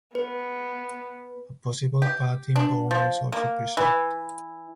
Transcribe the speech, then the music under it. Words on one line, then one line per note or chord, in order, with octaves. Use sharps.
A possible palatine bone is also preserved.
B3 B4
G4
D4
F3
A#3
E3